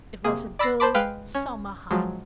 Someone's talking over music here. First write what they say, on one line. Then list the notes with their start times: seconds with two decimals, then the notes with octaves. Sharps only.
It was a girl's summer hat.
0.24 C3 A#3 G#4
0.59 D5 B5 E6 A6 A#6 C7
0.80 C5 A5 B5 D6
0.94 G#3 B4 F5 G5 F6
1.35 C#4
1.91 C#2 F3 F#3 G#3